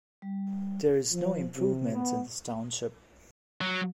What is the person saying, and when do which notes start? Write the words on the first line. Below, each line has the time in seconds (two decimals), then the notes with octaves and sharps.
There is no improvements in this Township.
0.22 G3
1.13 F3
1.56 C3
1.93 B3
3.61 F#3